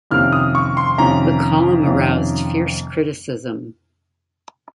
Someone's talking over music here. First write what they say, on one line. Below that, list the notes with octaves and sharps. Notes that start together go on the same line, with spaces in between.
The column aroused fierce criticism.
F2 C3 D#3 A#3 C#4 F6
D#6
C#6
C6
F2 C3 D#3 A#3 C#4 A#5
F2 C3 D#3 A#3 C#4